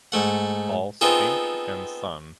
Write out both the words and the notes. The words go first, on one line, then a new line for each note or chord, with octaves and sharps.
All Spink and Son.
G#2 A3 F#5
B3 C4 D#4 F4 G#4 A4